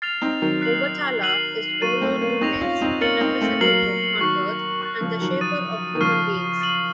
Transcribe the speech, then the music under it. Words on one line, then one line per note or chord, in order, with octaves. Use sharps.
Obatala is Olodumare's representative on earth and the shaper of human beings.
F6 A6 C7 F7
C4 D#4
D#3 F#3
F#6 C7 F#7
F6 C7 D#7 F#7
F#3 A#3 C#6 A6 D#7 F#7
A3 C4
A#3 C#4
C4 D#4 F#6 A#6 F7
C#4 F4
C4 D#4
A#3 C#4 F6 A6 C#7 F#7
C4 D#4
A3 C4
F#3 A#3 F6 C7 F#7
D#3 F#3 C#6 F#6 C7
C#6 F#6 A6
C#3 F3
D#3 F#3
D#6 A6 D#7
D#3
C#3 F3 C#6 F6 C7 D#7
D#6 A6 C7 D#7 F#7